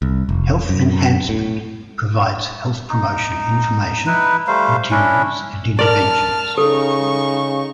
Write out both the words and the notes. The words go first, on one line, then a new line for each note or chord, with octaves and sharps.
Health Enhancement provides health promotion information, materials and interventions.
C2
F1
F#2
A2
D#4
D#4 E4 B4
G3 A3 C5 F5
C#4 D4 E4
A#4 D5 A5 F6
C#3 D#4 A4 C#6